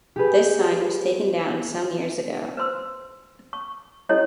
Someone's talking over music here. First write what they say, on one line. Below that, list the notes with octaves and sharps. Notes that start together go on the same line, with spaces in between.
This sign was taken down some years ago.
G4 G#4 B4
B4 C5 C6 E6
C#6
C#4 E4 G4 A4 C#5 D#5